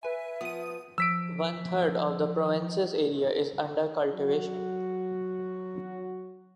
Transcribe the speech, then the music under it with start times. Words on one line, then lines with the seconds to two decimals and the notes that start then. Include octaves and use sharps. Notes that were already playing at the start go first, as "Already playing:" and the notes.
One third of the province's area is under cultivation.
0.03 B4 E5 G#5
0.41 F3 B3 D#6 D#7
0.98 F3 E6 B6 D7
4.13 F#3 F#4